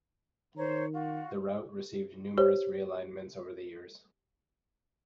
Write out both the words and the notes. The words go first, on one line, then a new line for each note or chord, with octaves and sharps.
The route received numerous realignments over the years.
D#3 C5 C#5 A#5
F4 F#4
G4 C5 C#5